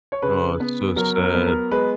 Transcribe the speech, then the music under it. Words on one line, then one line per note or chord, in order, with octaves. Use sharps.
Oh, it's so sad.
C#5
C#3 B4
B3
F#3 A#4
A#4
B3
A#4
G#3 B4